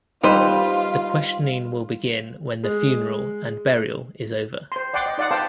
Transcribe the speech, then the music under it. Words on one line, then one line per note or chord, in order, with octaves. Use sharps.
The questioning will begin when the funeral and burial is over.
G3 D#4 F4 B4 C5
G#3
C5 C6
D5 F#5 G5 C6 D6
D#5
D#4 D5 F5 F#5
B4 C5 F5 G5 A5